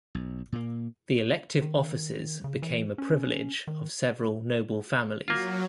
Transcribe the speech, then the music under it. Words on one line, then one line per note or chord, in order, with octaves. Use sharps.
The elective offices became a privilege of several noble families.
B1
A#2 A#3
D#3
C#3
E3
C#4
D#3
F#3 A#3 F4